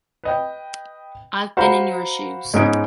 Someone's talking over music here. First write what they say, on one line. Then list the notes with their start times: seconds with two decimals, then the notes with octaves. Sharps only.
I’ve been in your shoes.
0.24 B4 D#5 G5
1.57 F#4 C5 F5 A#5 B5
2.54 G#2 G#3 B3 C#4 D#4 D7